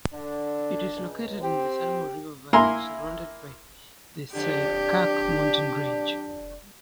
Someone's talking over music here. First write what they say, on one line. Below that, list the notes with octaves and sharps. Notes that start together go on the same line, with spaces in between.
It is located in the Salmo River Valley, surrounded by the Selkirk Mountain range.
D3 D4
C#2
C4 G4
A#3 E4 G#5 A#5 C6
F2 D3 D4 G4